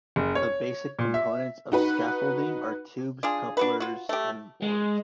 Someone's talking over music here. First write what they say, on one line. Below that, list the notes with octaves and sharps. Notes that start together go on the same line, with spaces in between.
The basic components of scaffolding are tubes, couplers and boards.
F#1
C#5
A#2
E5
D#4 F#4 B4
D4 F4 G#4
D4 F#4 B4
F4 F#4
A3 G4
G#3